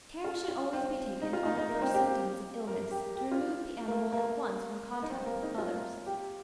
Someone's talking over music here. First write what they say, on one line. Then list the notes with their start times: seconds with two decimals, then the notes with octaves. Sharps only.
Care should always be taken on the first symptoms of illness to remove the animal at once from contact with others.
0.24 F4
0.48 F4
0.73 C4
1.22 D#4
1.33 F4
1.45 D#4
1.58 D#4
1.69 A#3
1.82 C4
1.94 G4
2.06 G4
2.67 A#4
2.91 G4
3.16 G4
3.31 F4
3.88 A#3
4.12 A#3
5.02 D#4
5.10 C4
5.26 A#3
5.43 D#4
5.58 F4
6.06 G4